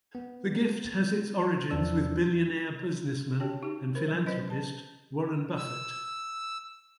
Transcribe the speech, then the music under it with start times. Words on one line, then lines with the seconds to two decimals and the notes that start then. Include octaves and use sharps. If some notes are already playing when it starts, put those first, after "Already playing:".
The gift has its origins with billionaire businessman and philanthropist, Warren Buffett.
0.15 B3
1.70 E2 E3 F3 D4 E6
3.39 F#4 G4 C#5 G5 A5
3.63 D#4 G4
3.95 A#4 C5 B5
4.08 F#3
4.26 C#4 B4 C5 D#5
4.49 E3 A5
5.57 E6